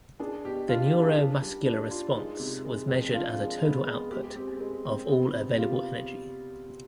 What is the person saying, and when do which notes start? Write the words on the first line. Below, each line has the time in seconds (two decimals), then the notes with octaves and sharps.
The neuromuscular response was measured as a total output of all available energy.
0.20 D4 G#4
0.44 B2 G4
0.69 D4 F4
0.86 G4
0.93 D4
1.02 G#4
1.17 D4
1.42 G3
1.66 D4
1.91 F4
2.15 G#3 D#4
2.39 C3
2.65 G#3
2.89 F2
3.13 D4 F4
3.38 G#3
3.63 B3
3.86 G#3
4.10 G#3 G4
4.23 G4
4.36 C4 G4
4.48 G#4
4.60 G#3 G4
4.85 C4
5.08 B3
5.34 C3
5.58 G3 F4